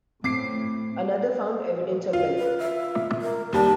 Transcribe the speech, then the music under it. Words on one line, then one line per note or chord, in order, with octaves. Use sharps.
Another found evidence of benefit.
A2 C4 D6 C7
F4
B4
E5
A#4
D#2 G3 A5